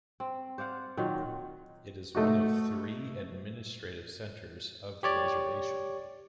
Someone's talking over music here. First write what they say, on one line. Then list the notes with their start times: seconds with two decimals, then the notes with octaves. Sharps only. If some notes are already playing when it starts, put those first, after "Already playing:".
It is one of three administrative centers of the reservation.
0.20 C4
0.58 C5 D5 F5 F#5
0.97 A#2 D#3 F#3
2.15 A3 D#4 F#4
5.03 G4 C#5 D5